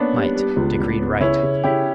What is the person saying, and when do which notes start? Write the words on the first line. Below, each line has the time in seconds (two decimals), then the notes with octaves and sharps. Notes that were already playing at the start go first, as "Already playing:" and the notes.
Might decreed right.
Already playing: A#3 B3 C#4 D4
0.14 G3
0.35 G3
0.56 C#2
0.78 C#2
1.00 B3
1.20 C#3 C#4 E4
1.43 C#3
1.64 C#3 E4 G4